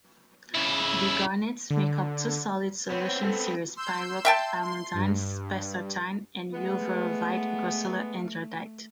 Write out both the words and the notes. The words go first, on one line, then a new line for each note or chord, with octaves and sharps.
The garnets make up two solid solution series: pyrope-almandine-spessartine and uvarovite-grossular-andradite.
C#3 E4
D3
B3 C4 C#5
A4
C6 E6 G6
E5 G5 A5
C6
G2
G#3 A3 B3